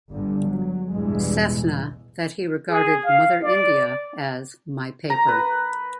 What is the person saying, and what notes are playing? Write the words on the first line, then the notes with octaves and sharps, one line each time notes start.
Sethna that he regarded 'Mother India' as "my paper".
G1 G2 D3
F#3
A1 E2 G2 B2 E3 G#3
G#4
F5
D5
A#5
B4